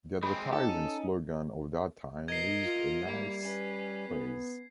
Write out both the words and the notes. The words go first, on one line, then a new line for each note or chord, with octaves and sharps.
The advertising slogan of that time used a nice phrase.
G#3 C4 B5
D#4 G4 A4
C#4
B2 A#4 D#5 G#6 C7
F4
G3 A#3 E4
C#4 B4
B3